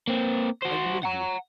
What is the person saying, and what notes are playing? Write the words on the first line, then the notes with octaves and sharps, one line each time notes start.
"I believe you."
A#3 C4
F#4 C5
F#5 A#5